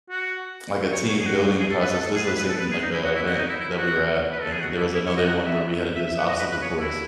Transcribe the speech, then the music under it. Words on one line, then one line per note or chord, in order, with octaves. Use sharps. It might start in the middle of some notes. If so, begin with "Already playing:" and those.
like a team building process this is the same, like, uh, event that we were at, and we there was another one where we had to do this obstacle course,
F#4
C#5
C#5
G#4
F#4
G#4
A4
B4
A4
A4
G#4
B4
B4
A4
B4
G#4
D#4
E4
F#4
E4
F#4
D#4
E4
E4
F#4
B4
A4
G#4
F#4
E4
E4
C#5
D#5
F#5
E5
E5
E5
F#5
D#5
B4
B4
C#5
E4